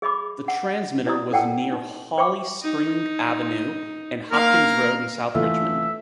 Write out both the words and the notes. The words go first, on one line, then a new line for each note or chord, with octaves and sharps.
The transmitter was near Holly Spring Avenue and Hopkins Road in South Richmond.
G#4 D#5 B5 D6
F#5
E4 D5 D#5 A#5 D#6
A4 D5 F#5 G5 A5
D#4
C5 G5 B5 C#6 D6
D#4
A#3 A#4 F5
E3 A3 F4 E5